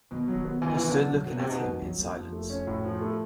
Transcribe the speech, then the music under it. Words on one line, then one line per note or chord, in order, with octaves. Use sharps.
I stood looking at him in silence.
B2 D#3
F#3
B3
C#2 E3
D#3
B2 E3
D3
F#3
C3 F#3
B2 A#3
C3
B2 D#4
F2 A#2
F2 F#3
F2 A#3
F3
A3
C#4
A2
F3
A3